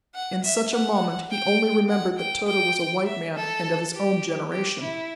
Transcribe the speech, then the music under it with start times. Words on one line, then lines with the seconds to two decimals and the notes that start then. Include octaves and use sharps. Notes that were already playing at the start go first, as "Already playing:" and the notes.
In such a moment he only remembered that Tode was a white man, and of his own generation.
0.14 F#5
0.44 E5
0.73 F#5
1.30 G5
1.89 F#5
2.18 G5
2.47 G5
3.05 E5
3.35 A4
3.92 G4
4.51 G4
4.80 E4